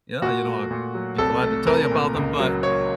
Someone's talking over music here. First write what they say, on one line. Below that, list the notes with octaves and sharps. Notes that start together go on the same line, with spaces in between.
yeah, you know, I'd be glad to tell you about them, but,
A#2 F#4
A3
A#2
F#3
C2 A4
A3
C2 A#4
A#2
C#2
F#3
A#3 C#5